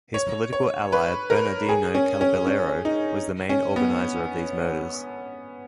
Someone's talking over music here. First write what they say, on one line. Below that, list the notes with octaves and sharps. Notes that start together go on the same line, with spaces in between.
His political ally Bernardino Caballero was the main organizer of these murders.
C#5
C#5
B4
A#4
G#4
C#4
C#4
C#4
D#4
C#4
B3